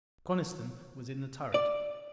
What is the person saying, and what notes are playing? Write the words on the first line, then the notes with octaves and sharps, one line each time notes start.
Coniston was in the turret.
D5